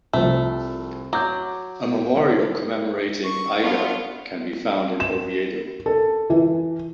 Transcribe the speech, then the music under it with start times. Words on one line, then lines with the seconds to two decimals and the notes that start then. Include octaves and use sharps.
A memorial commemorating Aida can be found in Oviedo.
0.13 C2 F3 A3
1.13 F#3 D6 G6
3.25 C#6
3.62 B3 D4 F4
5.00 E7
5.86 A4
6.30 E3